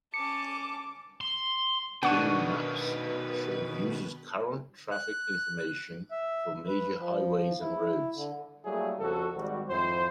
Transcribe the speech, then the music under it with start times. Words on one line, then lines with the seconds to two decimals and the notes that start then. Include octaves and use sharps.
Bing Maps shows users current traffic information for major highways and roads.
0.14 C#4 A5 D6 C#7
1.21 C6
2.03 B2 D#3 D4 B4 F#5 C#6 D#7
4.91 F#6
6.11 E5
6.67 B4
6.99 F3
7.61 E4
8.16 D3
8.65 F#3 G3 A3 A#3 E4 G#4
8.99 F2 C#3 F3 F#4 A4
9.35 G#1 G3 F#4
9.69 G#1 F2 E4 C5